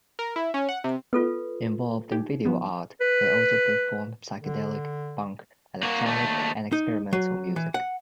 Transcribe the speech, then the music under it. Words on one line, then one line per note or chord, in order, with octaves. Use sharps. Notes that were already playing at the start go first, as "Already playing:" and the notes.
Involved in video art, they also performed psychedelic, punk, electronic and experimental music.
A#4
E4
C#4
F#5
C3
B3 F4 A4 B4
D#4 G4
F3 B3
B4
D3
A#3 F#4
D#2 A3
D#4
F#3
E3
F#5